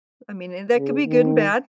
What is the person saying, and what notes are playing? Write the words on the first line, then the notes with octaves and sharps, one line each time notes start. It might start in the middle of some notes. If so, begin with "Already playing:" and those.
I mean, and that could be good and bad.
C#3
D#3